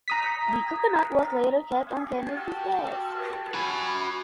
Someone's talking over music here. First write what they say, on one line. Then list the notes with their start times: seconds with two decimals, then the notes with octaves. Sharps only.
The coconut was later kept on Kennedy's desk.
0.08 A#5 D#6 B6
2.16 F#4 G4 A5
3.54 F#4 G#5 B5